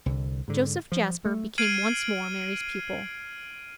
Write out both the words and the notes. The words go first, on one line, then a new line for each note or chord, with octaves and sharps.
Joseph Jasper became once more Mary's pupil.
C2 D3
G#2 D3
F3
A3
F6 G#6 C7 D7 D#7 F#7